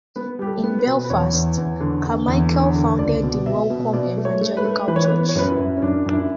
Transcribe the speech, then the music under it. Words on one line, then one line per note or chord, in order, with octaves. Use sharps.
In Belfast, Carmichael founded the Welcome Evangelical Church.
B3 B4
G3 G4
A4
B3
B4
B2
B4
E2 C#5
E2
E2
D3
D3
E2
D3
D3
C#2 D5
B2
B2 E5
B2
B2 D5
A3
C#5
A3
B4
A3
E3 B4
C#5
B4
B3
B4
C#5
F#2 B4
E4
F#2
C#4
F#2 D4
F#2 D4
E4